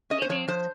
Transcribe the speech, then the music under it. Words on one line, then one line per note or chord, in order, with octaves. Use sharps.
it is,
C#4 D#5
C5
F3 C#5
F3 C5